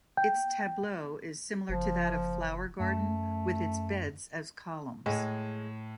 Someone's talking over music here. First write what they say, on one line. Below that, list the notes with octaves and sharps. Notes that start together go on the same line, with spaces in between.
Its tableau is similar to that of Flower Garden with its beds as columns.
G5
F#1 F3
F#2 A3
A2 G#3